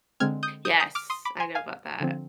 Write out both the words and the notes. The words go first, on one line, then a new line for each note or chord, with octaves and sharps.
Yes, I know about that.
D3 G#3 C4 F6 G#6
D#6 G6
D#6 G6
D#6 G6
D6 F6
C6 D#6
B5 D6
G#5 C6
F5 G#5
D3 F3 C4